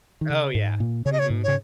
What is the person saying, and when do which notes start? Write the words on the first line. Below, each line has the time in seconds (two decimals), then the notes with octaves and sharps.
Oh, yeah, mhm.
0.21 D#3
0.30 C#3
0.55 G#2
0.80 A#2
1.05 C#3 C#5
1.12 D#5
1.19 C#5
1.30 G#2
1.44 C#3 C#5